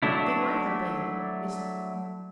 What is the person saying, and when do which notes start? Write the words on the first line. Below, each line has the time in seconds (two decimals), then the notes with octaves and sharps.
They might have been--Mrs.
0.03 F#3 A3 D4 E4